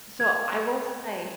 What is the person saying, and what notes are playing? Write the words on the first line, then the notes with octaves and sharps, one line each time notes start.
So, I will say
G#6